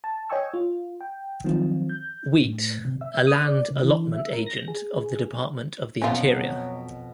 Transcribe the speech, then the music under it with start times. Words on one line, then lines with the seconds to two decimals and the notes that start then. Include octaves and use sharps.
Wheat, a land allotment agent of the Department of the Interior.
0.04 A5
0.29 C#5 D#5 G5 G#5 C#6 E6
0.54 F4
1.01 G5
1.44 D#3 F3 F#3 C4 F4
1.89 G6
2.43 A2
2.85 C3
3.01 E5
3.27 D#6
3.42 D5
3.70 C#3
3.83 E3
4.12 E5
4.33 A#4
4.46 A#6
4.68 G#4
6.02 F2 B2 F#3 C#4 F4